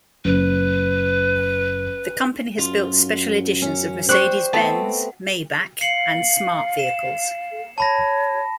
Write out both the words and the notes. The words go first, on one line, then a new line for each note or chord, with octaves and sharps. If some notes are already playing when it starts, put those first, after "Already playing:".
The company has built special editions of Mercedes-Benz, Maybach, and Smart vehicles.
F#1 B4
F#2 F4
C#4
G4 C5 D5 C#6 F#6
A3 B3 C4 A5
F5 C7 C#7 F#7
E7
C#5 A5 B5 A#6